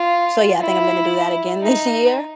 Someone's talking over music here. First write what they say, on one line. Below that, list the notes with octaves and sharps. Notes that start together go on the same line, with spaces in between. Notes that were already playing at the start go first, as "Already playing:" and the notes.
So yeah, I think I'm gonna do that again this year,
Already playing: F4
E4
D#4